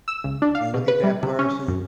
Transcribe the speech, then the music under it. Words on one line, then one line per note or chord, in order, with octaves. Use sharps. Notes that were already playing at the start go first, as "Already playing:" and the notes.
and look at that person
E6
C#2
D4
F5
B2
B4
G3
C3
C#4
F#2